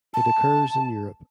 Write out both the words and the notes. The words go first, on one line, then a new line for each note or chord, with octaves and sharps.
It occurs in Europe.
A5